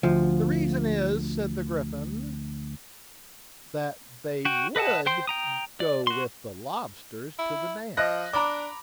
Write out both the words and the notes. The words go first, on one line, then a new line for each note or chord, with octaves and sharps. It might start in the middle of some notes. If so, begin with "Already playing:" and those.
'The reason is,' said the Gryphon, 'that they WOULD go with the lobsters to the dance.
D2 F3
F#4 G5
B4 D#5 F#5 A5
C5 G5 C6
G5 A#5 D#6
D5
F#4 C6
E4
F3 D#5 F#6 A#6
D4 A#5 B5 D6